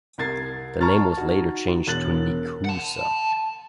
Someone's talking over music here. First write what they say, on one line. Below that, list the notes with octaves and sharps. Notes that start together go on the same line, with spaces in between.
The name was later changed to Nekoosa.
C2 A#4 G#6 A6 C7
A5 A#5 C#6 F6 A6
D#4 F#4
E1 F#6 A6 F#7
F#5 A5